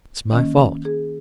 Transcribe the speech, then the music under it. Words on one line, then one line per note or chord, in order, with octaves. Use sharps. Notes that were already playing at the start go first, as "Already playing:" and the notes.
It's my fault.
D#3 A#3 C#4 D#5
G#4